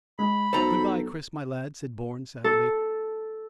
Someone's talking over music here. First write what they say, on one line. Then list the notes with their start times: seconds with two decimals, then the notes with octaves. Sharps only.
"Good-bye, Chris, my lad," said Bourne sadly.
0.19 G#3 B5
0.53 B1 F#3 A4 C5 A#5
2.44 A4